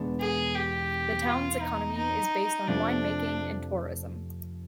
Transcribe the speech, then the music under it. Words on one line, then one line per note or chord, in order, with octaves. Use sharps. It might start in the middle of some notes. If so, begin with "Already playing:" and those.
The town's economy is based on wine making and tourism.
Already playing: E2 B2 G#3 B3 D4
G#4
G4
F4
D#4
D#4
F2 C3 F3 A3 D4